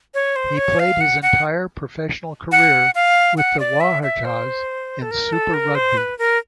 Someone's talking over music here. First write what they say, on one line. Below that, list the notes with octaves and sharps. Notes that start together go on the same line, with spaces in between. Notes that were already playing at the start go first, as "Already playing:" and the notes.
He played his entire professional career with the Waratahs in Super Rugby.
C#5
C5
C#5
F5
F#5
F#5
F#5
F5
F#5
D5
E5
E5
C5
A4
A#4
A4
A#4
C5
B4
A#4